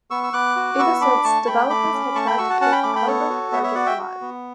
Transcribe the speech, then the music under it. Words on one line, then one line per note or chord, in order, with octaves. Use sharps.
Ever since developers have tried to keep the Cobalt project alive.
B3 C#6 E6
E6
B3 D6 F#6
F#4
B3 C#6 E6
D4 B5 D6
A3 A5 C#6
A3 G5 B5
A3 B5 D6
C#4
A3 A5 C#6
G5 B5
F#4 C#6 E6
F#5 A5
C#4 F#5 A5
G5 B5
A3 B5 D6
G5 B5
B3 A4 C#5
F#4
B3 C#5 E5
C#5 E5
F#4 D5 F#5
E5 G5
F#4
B3